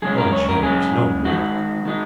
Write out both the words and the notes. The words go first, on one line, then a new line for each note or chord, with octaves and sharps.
O, jay, there's no milk.
F#2 C#3 G#3 C#4 G#4
A#4
C#5
A#4
F#2 C#3 G#3 C#4 G#4
D#3 G#3 D#4 F#4
D#3 G#3 D#4